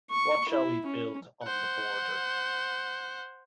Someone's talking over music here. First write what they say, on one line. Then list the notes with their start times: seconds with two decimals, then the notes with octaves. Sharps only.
What shall we build on the border?
0.11 C#6
0.50 E4
0.87 C#4
1.44 C5 F#5